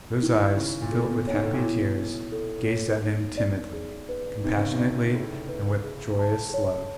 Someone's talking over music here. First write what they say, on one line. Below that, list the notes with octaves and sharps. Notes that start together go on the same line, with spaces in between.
Those eyes, filled with happy tears, gazed at him timidly, compassionately, and with joyous love.
D#3 E4
C#3 E4
A#2
B2 A4
C#5
G#2
A2
A#2
B2 E4
E4
A4
C#5
D#4
D5
G#4
B4
C3 D#4
C#3
C3
D5
A2 G#4
B4
G#4
A5
C#5